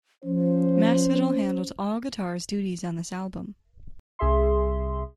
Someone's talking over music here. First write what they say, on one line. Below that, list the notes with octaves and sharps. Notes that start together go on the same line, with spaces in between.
Masvidal handled all guitars duties on this album.
F3 C#4 C5
C2 G#4 E5 C6